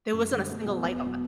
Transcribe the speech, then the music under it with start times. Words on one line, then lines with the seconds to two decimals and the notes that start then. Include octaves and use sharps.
There wasn't a single light on.
0.13 F#2 A3
0.31 D3 G3
0.49 B2 A3
0.66 F#3 A3 B3
0.84 E1 B3
1.05 B2 F#3